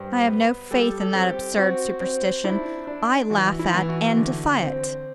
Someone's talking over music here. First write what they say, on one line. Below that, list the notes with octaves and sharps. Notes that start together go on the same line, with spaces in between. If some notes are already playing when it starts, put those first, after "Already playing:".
I have no faith in that absurd superstition--I laugh at and defy it.
Already playing: G2 C5
B3
G3 A4
A4
C4
G4
C4 F#4
C4
D4 E4
D4
E3 F#4
E4
E3
F#4
D3
C4